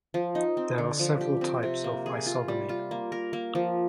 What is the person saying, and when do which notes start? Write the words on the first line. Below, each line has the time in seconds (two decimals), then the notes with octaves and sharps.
There are several types of isogamy.
0.14 F3
0.35 D#4
0.57 C4
0.78 D3
0.99 F3
1.21 G4
1.41 C4
1.63 C3
1.84 A#3
2.06 G#4
2.26 F4
2.48 G3
2.69 F4
2.91 A#3
3.12 A#4
3.33 A#3
3.55 F3